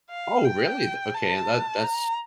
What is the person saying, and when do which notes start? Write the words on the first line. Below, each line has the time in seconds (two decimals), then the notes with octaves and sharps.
Oh, really? The Okay, and that that's
0.11 F5
0.45 G5
1.14 A5
1.84 A#5